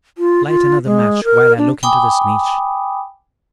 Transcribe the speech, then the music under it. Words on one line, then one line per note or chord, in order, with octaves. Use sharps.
Light another match while I look into this niche.
F4
F4
G#3
A#4
D4
G5 G#5 B5 D6 D#6